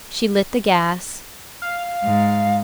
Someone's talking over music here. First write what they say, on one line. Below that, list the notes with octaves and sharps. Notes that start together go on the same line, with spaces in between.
She lit the gas.
F5
G#2